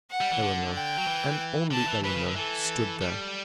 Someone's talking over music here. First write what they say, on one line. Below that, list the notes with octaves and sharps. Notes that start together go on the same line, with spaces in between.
Eleanor, and only Eleanor, stood there.
F#5
G3
E3
D3
G5
F#3
E3
D3 A5
E3
E3 B4
C#3
D3
E3 A4
G3